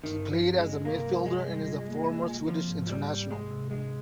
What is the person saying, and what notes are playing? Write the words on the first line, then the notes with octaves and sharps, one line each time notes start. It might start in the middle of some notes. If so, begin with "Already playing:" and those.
He played as a midfielder and is a former Swedish international.
G2 D#3
D#4
F3
C4
G#3
D#4
C3 A#3
G3
C3 G#3
G3
F4
A#3
A#3
F4
F3 C4
G#2
D#3 G3
G#2
C3 G#3
C3
G#3 D4